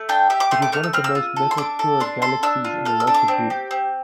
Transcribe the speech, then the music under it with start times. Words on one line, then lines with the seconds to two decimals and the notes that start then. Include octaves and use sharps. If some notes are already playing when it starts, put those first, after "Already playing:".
It is one of the most metal-poor galaxies in the Local group.
Already playing: A3
0.09 D4 G5
0.30 G4 E5
0.40 D6
0.51 A3 C6
0.62 D6
0.72 A3 F6
0.83 E6
0.93 C4 F6
1.04 E6
1.15 F4
1.36 A4
1.51 C6
1.57 D4 D6
1.79 A4
2.00 D4 C6
2.22 A4 C6
2.43 D4 E6
2.65 F4
2.85 A4 F6
3.00 E6
3.07 D4
3.14 D6
3.28 C4
3.50 G4
3.71 C4